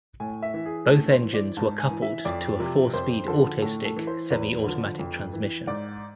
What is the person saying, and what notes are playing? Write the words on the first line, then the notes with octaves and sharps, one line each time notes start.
Both engines were coupled to a four-speed Autostick semi-automatic transmission.
A2 G#5
E5
E3
G#4
A2 A4
C5
E3
D5
G#2 A5
G#5
E3
E5
F2 D5
C3 F3
F2 C5
D3 F3 A4
A2 A4
A4
E3
C5
E2 B4
D3 F3
F2
E3
G#2 D5